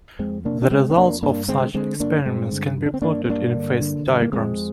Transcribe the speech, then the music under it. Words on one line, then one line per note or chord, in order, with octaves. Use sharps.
The results of such experiments can be plotted in phase diagrams.
F2 G#3 C4
C3 A#3 D4
D4
C3 G#3 C4
C4
F2 A#3 D4
G2 A#3 D4
D3 G#3 C4
D3 G#3 C4
G2 A#3 D4
G2 G#3 C4
D3
D3
D4
C4
G2 A#3 D4
C4
G2 A#3 D4
D3
D3
G2
A#3
F2 G#3 C4